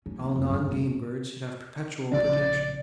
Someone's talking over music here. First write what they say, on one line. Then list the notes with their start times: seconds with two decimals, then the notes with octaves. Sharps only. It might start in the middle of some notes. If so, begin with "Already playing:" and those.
All non-game birds should have perpetual protection.
0.06 C#4
0.19 D#2
0.36 F2
0.50 G2
0.71 E1
2.12 A#1 C#3 D4 D5